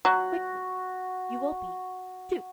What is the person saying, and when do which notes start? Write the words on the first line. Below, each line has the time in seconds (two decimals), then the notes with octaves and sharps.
Quickly, you will be, to.
0.05 F#3 F#4